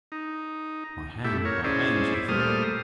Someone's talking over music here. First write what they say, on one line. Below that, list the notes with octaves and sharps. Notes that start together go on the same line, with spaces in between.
"My hands, my hands," he thought.
D#4
A3 E4 G4
A#4 C#5
C#4 E4 G#4 C5 D5
A#2 G3 A3 C5 D#6 F6